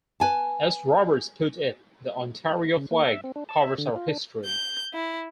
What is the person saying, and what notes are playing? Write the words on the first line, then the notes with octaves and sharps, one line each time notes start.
As Robarts put it, the Ontario flag covers our history.
B4 G#5 A5
C#3
A#3
E5
C4
D4
A5
E5
D3
F4
D4
G6
E4